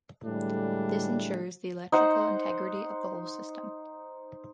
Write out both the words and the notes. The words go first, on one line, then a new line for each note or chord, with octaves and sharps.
This ensures the electrical integrity of the whole system.
A2 D3 E3 G3 G#3 D4
D#4 C5 F#5